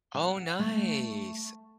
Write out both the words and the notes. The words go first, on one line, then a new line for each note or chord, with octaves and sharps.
Oh, nice.
F#5
A3